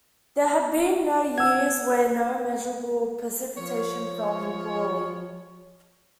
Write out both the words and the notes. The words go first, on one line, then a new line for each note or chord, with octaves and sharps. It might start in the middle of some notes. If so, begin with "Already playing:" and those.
There have been no years when no measurable precipitation fell in Brawley.
F#5 E6 G#6
F3 C#5